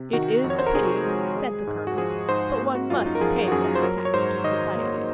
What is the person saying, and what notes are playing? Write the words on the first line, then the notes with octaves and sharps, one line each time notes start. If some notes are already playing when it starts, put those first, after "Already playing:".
"It is a pity," said the colonel; "but one must pay one's tax to society."
Already playing: C3
D#3 F#4
F2
C#5
C5
A#4
C3 G#4
G#3
G#3
G#2
F#4
F3 G#4
G#2 C5
A#3
F#4
F#2 F4
D#4
A#4
F3 G#4
F#4
F#2 G#4
C5
F#3 A#4
C#5
G#2 C5
D#3 D#5
A#3